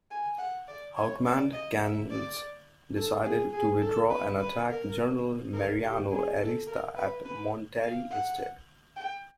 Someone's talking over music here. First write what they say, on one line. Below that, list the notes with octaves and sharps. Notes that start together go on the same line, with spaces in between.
Outmanned, Canales decided to withdraw and attack General Mariano Arista at Monterrey instead.
G#5
F#5
D5
C#5
D5
D#5
E5
D5
A4
G#4
G#4
A4
B4
B4
A#4
A#4
G4
G#4
A4
A#4
B4
B4
F5
F#5
G5